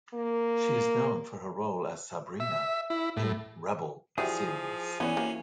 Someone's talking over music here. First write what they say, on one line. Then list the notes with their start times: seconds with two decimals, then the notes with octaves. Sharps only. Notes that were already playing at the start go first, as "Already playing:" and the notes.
She is known for her role as Sabrina in “Rebel” series.
0.14 A#3
2.40 E5
2.90 E4
3.17 A2
4.18 E3 F3 G3 F#4 G#4
5.00 E3 B3 C#4 B4 D5
5.17 F3 F#3 A#3